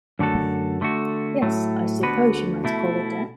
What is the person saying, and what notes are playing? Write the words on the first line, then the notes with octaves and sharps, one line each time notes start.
Yes, I suppose you might call it that.
F#2 D3 A3 F#4 A4
D3 A3 F#4
A2 F#3 A3
D2 D3 B3 F#4 B4
B2 A3 E4